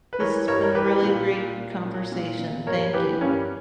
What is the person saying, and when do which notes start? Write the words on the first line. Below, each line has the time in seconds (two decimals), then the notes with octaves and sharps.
This's been a really great conversation, thank you.
0.13 B4
0.20 E3 A#4 C#5
0.47 G2 A#4 C#5
0.64 A#4
0.74 E3 G4 B4
1.02 A#2
1.30 A#2
1.58 A#2
1.85 A#2
2.12 A#2
2.39 A#2
2.67 G2 A#4 C#5
2.93 E3 G4 B4
3.21 G2 A#3 C#4